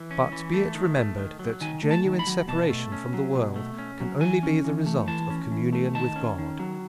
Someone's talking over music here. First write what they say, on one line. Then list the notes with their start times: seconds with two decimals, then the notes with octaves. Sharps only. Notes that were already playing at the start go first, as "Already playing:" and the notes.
But be it remembered that genuine separation from the world can only be the result of communion with God.
Already playing: E3
0.11 C#4
0.32 E3
0.54 A3
0.75 D#3
0.97 A3
1.18 D#3
1.39 F#3
1.61 D#3 G#5
1.83 A3
1.91 A5
2.05 D#3
2.19 B5
2.27 F#3
2.48 B2 A5
2.70 A3
2.92 C#4
3.14 F#3
3.35 B2
3.56 A3
3.79 C#4
4.00 F#3
4.21 E3 G#5
4.43 C#4
4.64 E3
4.86 A3
5.07 E3 A5
5.30 C#4
5.52 E3
5.73 A3
5.94 D#3 A5
6.16 C#4
6.38 D#3
6.59 F#3